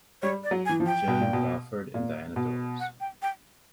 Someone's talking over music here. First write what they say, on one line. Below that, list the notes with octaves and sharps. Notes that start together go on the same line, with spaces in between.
Joan Crawford and Diana Dors.
G3 C#5
D5
F#3
G#5
E3
F3
G5
B2
A#2
B2
A#2
B2
F#5
G5
G5